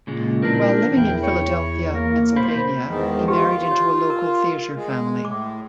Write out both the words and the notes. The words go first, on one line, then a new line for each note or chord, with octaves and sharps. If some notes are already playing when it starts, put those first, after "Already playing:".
While living in Philadelphia, Pennsylvania, he married into a local theatre family.
A#2 C#3 G#3
A#2 E3 C4 D4 A#4
E2 E4 G5
C#5
A#3 A#4
B2 A#3 C5 B5
E2 G#2 D#3
F4 G4
C#5
A#4
G#3
A2 D6